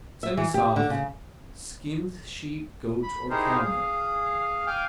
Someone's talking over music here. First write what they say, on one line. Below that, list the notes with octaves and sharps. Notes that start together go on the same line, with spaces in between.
Semisoft; skimmed sheep, goat or cow milk.
E5
E3
G4
D3
C#3
B5
D#4 E4 G4 G#4 A#4 C5
G#4 F5
F5 G5 G#5 D6 F6